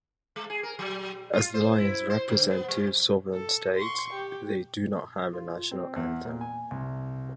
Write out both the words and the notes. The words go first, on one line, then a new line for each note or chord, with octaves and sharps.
As the Lions represent two sovereign states, they do not have a national anthem.
G#3
G#4
A#4
F#3
F4
C5
E4
C5
D3
B3
G3
A4
C6 C#6
G4
F4
C4
E2
A#2
G#5
C2